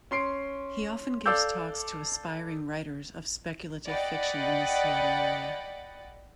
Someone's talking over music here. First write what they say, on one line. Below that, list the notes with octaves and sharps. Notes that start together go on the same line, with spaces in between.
He often gives talks to aspiring writers of speculative fiction in the Seattle area.
C#4 C6 C7 D7
A4 D5 F5 D6 E6 G6
D5 D#5 F#5 G5 B5 A6